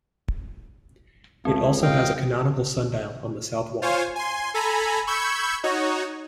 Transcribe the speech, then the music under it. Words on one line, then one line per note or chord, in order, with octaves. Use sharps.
It also has a canonical sundial on the south wall.
C#2 A3 C4
D#5 F5 G5
F4 C5 C#5 F5 G#5
G#5 C6
A4 G#5 A#5 B5
B5 C#6 E6 G6 G#6 C#7
D#4 F#4 C#5